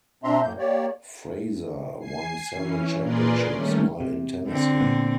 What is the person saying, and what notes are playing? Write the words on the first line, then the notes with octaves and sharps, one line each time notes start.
Fraizer won several championships while in Tennessee.
B2 C4 D4 E5 A#5 C6
F#2 A2 A#3 G6
A#3 G4 C#5 D5
G#5 C7
E3 C#4
A#2 G#4 A#4 B4 D5 C6
D#3 G3 A3 C#4
C3
D3 C4
A#2 B3